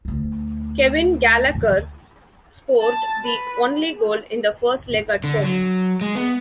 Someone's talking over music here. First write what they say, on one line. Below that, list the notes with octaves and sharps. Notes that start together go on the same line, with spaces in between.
Kevin Gallacher scored the only goal in the first leg at home.
D2 D#4
A5
B4
D3
F#3
G#3
B3